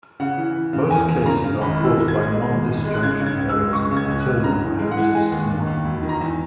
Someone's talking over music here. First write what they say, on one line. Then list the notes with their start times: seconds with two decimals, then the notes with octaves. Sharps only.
Most cases are caused by nondisjunction errors in paternal meiosis I.
0.20 C#3 F#5
0.37 E3
0.55 E3
0.73 C#3
0.90 E2 G#5
1.09 E2
1.26 C#3 A#5
1.44 C#3
1.61 G#1 B5
1.79 E3
1.85 E6
1.96 G#1
2.08 G#6
2.14 G#3
2.32 G#3
2.49 G#1
2.67 G#1
2.85 G#3
2.94 F#6
3.03 C#3 G#6
3.20 C#3
3.26 G#6
3.37 C#2
3.49 E6
3.56 G#3
3.73 C#2 C#6
3.91 C#3
3.97 G#6
4.08 C#2
4.20 F#6
4.26 C#2
4.43 C#3 A#5
4.62 E3
4.79 G#3
4.91 F#5
4.97 E3
5.15 G#3 G#5
5.31 D#2
5.50 D#2
5.67 D#2
5.85 E1
6.03 D#3
6.09 A#5
6.21 E2